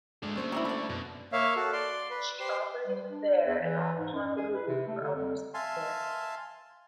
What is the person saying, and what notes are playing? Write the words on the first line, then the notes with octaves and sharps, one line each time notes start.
She operated there and off Honolulu for almost a year.
G#2 G#3 A3 D4
G3 A#3 C#4 C5 C#6
F#3 C4 E4 C#6 D6
D3 D5 B5
F#2 B2
A#3 C#5 E5 F5
F#4 A4
D5 C6
B4
G4 C5 C6
G3
D4
E2
E3
G#2
F#2
G#4
B4
C3
A3
D3
F2
E5 F5 G#5 A5 C6